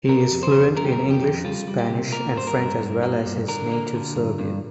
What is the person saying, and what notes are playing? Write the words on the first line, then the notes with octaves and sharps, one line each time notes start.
He is fluent in English, Spanish and French as well as his native Serbian.
C3 A#4
F2
C5
F2
G3 A#4
G4
A#4
F2
G4
F2
G3 F4
G3
G4
C3
A#3 A#4
G2 C5
A#4
G2
G2
A#3
G2
D3 A#4
A#3
D3
G2
G2